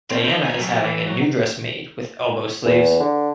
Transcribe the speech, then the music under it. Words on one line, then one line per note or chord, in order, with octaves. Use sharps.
Diana is having a new dress made with elbow sleeves.
C4 C#4
E4 D#5
A2 G#5
F#3 G3
E3
F#3
E2
D3